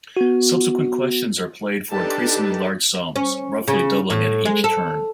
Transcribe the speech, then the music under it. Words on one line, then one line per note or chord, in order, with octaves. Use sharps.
Subsequent questions are played for increasingly large sums, roughly doubling at each turn.
B3 F#4
D4 D#4 G4 A4 B4 A5
C#4
C#3
A2
G#3
A4